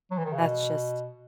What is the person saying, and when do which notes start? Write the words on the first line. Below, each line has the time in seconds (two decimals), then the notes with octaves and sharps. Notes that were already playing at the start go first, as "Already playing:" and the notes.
that's just
0.11 F#3
0.18 E3
0.25 D#3
0.33 C#3
0.40 B2